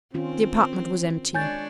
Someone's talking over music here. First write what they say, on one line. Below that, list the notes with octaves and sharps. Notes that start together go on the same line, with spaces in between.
The apartment was empty.
D#3 C4 C#4 F4
G#3 D4 C#5 G#5 G6 A6